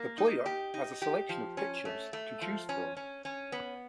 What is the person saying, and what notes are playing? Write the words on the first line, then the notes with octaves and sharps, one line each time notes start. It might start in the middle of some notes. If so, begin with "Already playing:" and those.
The player has a selection of pitchers to choose from.
Already playing: A#3
D#4
G4
D#4
G4
F3
C#4
A3
A3
F3
C#4
C#4
C#4
B3